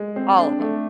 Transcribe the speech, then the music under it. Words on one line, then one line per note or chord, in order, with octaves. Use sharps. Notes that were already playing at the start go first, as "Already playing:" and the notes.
All of 'em.
Already playing: G#3
C4
D4
A3